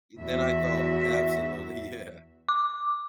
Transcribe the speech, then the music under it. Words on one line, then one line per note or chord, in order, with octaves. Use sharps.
Than I thought, absolutely. Yeah.
E2 F#4 E5
D6